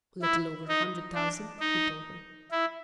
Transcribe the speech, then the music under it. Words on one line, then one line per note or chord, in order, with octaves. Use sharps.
"A little over a hundred thousand," he told her.
E4
D#4
D4
D#4
E4